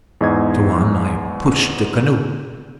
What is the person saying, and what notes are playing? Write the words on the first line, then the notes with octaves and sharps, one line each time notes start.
Tuan, I pushed the canoe!
E2 G#2 D#5 G#6